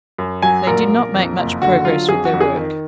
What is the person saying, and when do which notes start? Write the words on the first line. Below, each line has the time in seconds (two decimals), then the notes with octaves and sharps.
They did not make much progress with their work.
0.18 F#2
0.42 F#3 G#5
0.67 A#1 A#4
0.90 A#1
1.14 F2
1.38 F#1
1.61 D3 F#4
1.85 F#3 F4
2.09 F2 G#4
2.25 F#4
2.34 F2
2.40 G#4
2.56 D#3